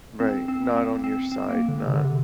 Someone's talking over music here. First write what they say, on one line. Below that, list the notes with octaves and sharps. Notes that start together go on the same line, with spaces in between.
Right, not on your side, not
C4
C4
A#3
C4
C4
C4
A#3
D3
C3
D3
C3